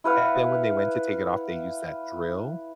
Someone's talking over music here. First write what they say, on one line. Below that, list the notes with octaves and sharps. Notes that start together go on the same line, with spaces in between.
And then when they went to take it off, they used that drill.
E4 B4 F5 F#5